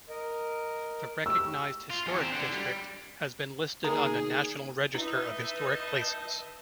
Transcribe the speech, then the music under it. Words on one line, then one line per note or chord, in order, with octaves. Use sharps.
The recognized Historic District has been listed on the National Register of Historic Places.
A#4 D#5
G4 E6
F4
E2
C4
D3
G3
D3 A#3 D#4 G#4 A#4
D#4 E4 B4 D#5 E5 A5